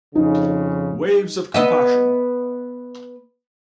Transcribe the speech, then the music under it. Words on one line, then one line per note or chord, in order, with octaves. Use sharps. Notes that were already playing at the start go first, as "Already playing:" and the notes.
Waves of Compassion...
F2 C#3 D#4
B3 D#5 E5